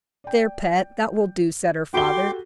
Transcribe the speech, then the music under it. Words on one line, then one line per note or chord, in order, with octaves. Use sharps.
"There, pet, that will do," said her father.
D5 G5
F#4 G4 A4 G5 B5 C6 D6 G7